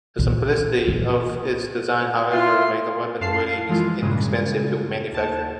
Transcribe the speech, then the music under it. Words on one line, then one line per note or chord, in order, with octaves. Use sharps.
The simplicity of its design however, made the weapon very inexpensive to manufacture.
A#2 C4
A#2 A#3
E4 F4 C6
F#2 F5 A5 C7
E3 F3 G#3 E4 F4
G2 A#2 C#3 G#3
D#2 A5